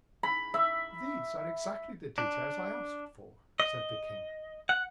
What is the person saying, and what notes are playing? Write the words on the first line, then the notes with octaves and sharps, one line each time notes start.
"These are exactly the details I asked for," said the king.
B5
E5
D4
D#5
F#5